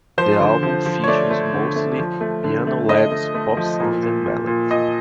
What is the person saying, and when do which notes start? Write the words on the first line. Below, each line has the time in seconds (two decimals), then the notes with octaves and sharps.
The album features mostly piano-led pop songs and ballads.
0.18 F3 C5
0.40 D3
0.63 F3
0.86 F3
1.04 C#5
1.08 A3 D5
1.31 A3
1.53 D3
1.76 A3
1.99 F3
2.21 A3
2.44 D3
2.67 A3
2.89 A3 D#5
3.12 A3
3.35 A3
3.57 F3
3.80 A#2
4.03 A#2
4.25 A#2
4.47 A#2
4.70 A#2 D#5